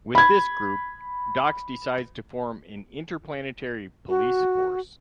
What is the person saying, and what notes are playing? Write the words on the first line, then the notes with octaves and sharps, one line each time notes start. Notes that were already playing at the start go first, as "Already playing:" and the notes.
With this group, Dox decides to form an interplanetary police force.
B5 G#6
F#4